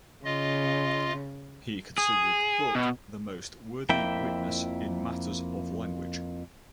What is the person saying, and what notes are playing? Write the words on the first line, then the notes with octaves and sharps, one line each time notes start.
He considered Vuk the "most worthy witness" in matters of language.
C#3 F4 D#5
G#4
B2
F2 F3 A#3 E4 E5 G5